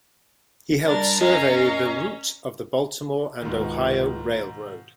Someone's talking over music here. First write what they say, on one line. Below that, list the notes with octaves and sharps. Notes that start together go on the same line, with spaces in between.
He helped survey the route of the Baltimore and Ohio Railroad.
G3 D4 A#4 A6
F#2 C#4 D#5 F5 A#5
C#2 G#2 B2 D#3